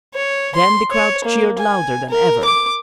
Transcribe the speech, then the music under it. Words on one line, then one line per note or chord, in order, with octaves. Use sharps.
Then the crowd cheered louder than ever.
C#5
C6
C#5
A#3
G#5
A#4
D6